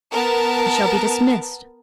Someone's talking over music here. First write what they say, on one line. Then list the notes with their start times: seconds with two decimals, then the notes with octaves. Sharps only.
I shall be dismissed.
0.14 B3 A#4 A5